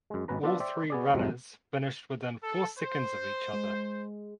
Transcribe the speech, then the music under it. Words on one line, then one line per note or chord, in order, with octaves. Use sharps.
All three runners finished within four seconds of each other.
F#2 G#3
G#1 B2 C#4 B4 A#5
B3 D4 F4 B4 D5 E5
C5 D5 E5 G5
B3 G#4 D5
C2 F2 G#2 C3 F#3 D#5
A4
C5
G#3